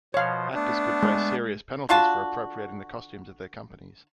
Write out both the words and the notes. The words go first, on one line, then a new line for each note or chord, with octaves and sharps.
Actors could face serious penalties for appropriating the costumes of their companies.
B2 F3 C5 C#5 F5
A3 B3 D4
G#3
D3 F4 F#4 A5